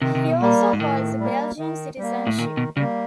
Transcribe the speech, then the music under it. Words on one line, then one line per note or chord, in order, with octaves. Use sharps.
He also holds a Belgian citizenship.
C3 D#3
C3
B2
A#2 G3 A#3
G#2
A2 D#3
G3 A#3
D#3
G3 A#3
A2
A#2 D#3
B2
C#3 G3 A#3